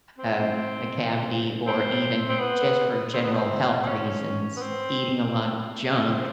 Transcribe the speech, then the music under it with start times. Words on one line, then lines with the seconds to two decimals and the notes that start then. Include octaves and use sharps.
um, a cavity, or even just for general health reasons. Eating a lot of junk
0.19 C4
1.66 C4
2.29 C4
2.40 B3
3.14 C4
3.23 B3
3.32 C4
3.83 C4
3.88 C#4
4.56 B3
4.62 C4
6.10 C4